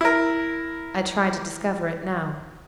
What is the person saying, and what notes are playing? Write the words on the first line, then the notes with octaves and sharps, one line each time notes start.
I tried to discover it now.
E4 A#4